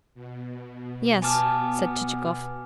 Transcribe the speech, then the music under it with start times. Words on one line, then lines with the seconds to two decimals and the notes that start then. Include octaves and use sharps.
"Yes," said Chichikov.
0.15 B2
1.22 B3 G#5 A5 D6 F6